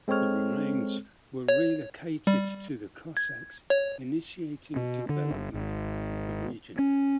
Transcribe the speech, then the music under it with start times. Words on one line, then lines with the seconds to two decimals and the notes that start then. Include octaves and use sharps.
The remains were relocated to the Cossacks, initiating development of the region.
0.08 G#3 C4 A4 C#5 F6
1.49 C#5
2.27 G3
3.17 G#6
3.70 C#5
4.76 B2
5.09 D3
5.31 G1
5.54 G#1
6.79 C#4